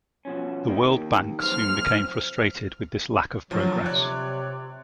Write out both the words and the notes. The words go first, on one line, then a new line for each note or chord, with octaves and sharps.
The World Bank soon became frustrated with this lack of progress.
B2 F3 C#4
D#3 A#3 D#4
B1 F2 C5 F6
D2 F3 F#3
C3 C#5 D5 F#6